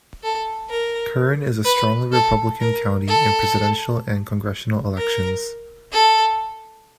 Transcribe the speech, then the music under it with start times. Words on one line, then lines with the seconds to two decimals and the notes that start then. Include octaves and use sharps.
Kern is a strongly Republican county in Presidential and congressional elections.
0.23 A4
0.70 A#4
1.65 B4
2.13 A4
2.61 A#4
3.08 A4
4.97 A#4
5.92 A4